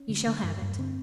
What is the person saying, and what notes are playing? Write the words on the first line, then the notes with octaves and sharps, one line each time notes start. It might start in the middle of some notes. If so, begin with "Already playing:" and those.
"You shall have it."
Already playing: C#4
D3
D3
G2
G2
D3 C4